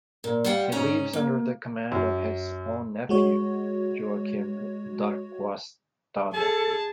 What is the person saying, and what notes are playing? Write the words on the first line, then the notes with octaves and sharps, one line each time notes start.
He leaves under the command of his own nephew, Joachim Darquistade.
A#2
G3 F4 F#5 G5
G#2 C#4 G#5 A#5
A#3
F#2
G#3 F#4 C#5
G#4 A4 A5